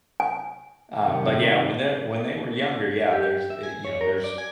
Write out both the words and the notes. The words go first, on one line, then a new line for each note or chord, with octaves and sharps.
uh but yeah, when they're when they were younger, yeah, there's, eh you know, there's
G#5
C3 D#3
G4
E5
G#5
C#5
A#4
D5
G#5